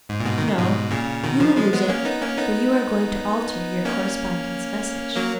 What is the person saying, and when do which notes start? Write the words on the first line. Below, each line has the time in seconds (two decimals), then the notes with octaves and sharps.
"No, you will lose it, for you are going to alter your correspondent's message."
0.09 G#2
0.20 A#2
0.26 G#2 B2
0.38 D#3
0.48 C#3
0.58 G#2 B2
0.91 A#2 C#3
1.23 B2 D#3
1.40 C#3 F3
1.56 F3 G#3
1.73 G#3 B3
1.89 A#3 C#4
2.05 B3 D#4
2.22 A#3 C#4
2.38 B3 D#4
3.85 A#3 C#4
5.16 F#3 A#3